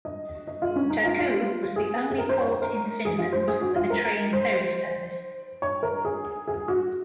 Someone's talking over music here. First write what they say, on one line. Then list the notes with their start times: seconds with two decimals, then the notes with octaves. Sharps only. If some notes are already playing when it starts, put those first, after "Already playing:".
Turku was the only port in Finland with a train ferry service.
0.05 D#5
0.47 D#5
0.62 F4
0.76 C#4
0.90 D#4
1.05 F4
1.18 F4
1.76 G#4
2.11 G#4
2.18 A#4
2.29 C5
2.40 C#5
2.51 C5
2.62 A#4
3.05 G#4
3.19 F4
3.33 C5
3.48 G#4
3.61 F#4
3.76 F4
3.90 A#4
4.33 C5
5.62 C#5
5.83 A#4
6.05 G#4
6.47 G#4
6.68 F#4